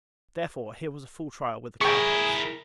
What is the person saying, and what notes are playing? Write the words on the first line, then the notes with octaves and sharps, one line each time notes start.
Therefore, here was a full trial with the cow-pox.
E4 G#4 A#4 G5 C#6